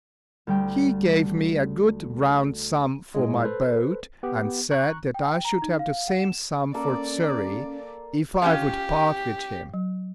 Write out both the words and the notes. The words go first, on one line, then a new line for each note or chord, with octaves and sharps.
He gave me a good round sum for my boat, and said that I should have the same sum for Xury, if I would part with him.
D2 G3 G5
A2 G#3
A4 B4 C5
B3 G4
A#5 C#6 F#6
G5
G5
A#5
D#4
F5
F#5
E7
A#3 C#4 A4 D5
C#4 F4 G4 F5
F#3